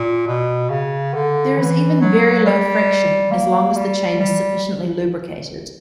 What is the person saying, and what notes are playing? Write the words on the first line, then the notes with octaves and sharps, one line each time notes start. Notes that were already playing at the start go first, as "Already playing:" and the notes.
There is even very low friction, as long as the chain is sufficiently lubricated.
Already playing: A#2
B2
C#3
D3
E3
F#3
G3
A#3
G3
G3